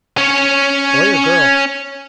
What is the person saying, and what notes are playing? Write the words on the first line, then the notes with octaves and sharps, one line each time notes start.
"Boy or girl?"
C#4 C#5